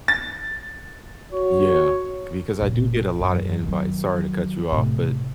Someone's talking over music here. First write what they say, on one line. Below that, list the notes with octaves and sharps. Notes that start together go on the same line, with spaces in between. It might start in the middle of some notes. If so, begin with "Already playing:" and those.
Yeah, c because I do get a lotta invites. Sorry to cut you off, but
A6
F#4 C#5
F#1 A#2
F#2
D#3 F#3
A2 C3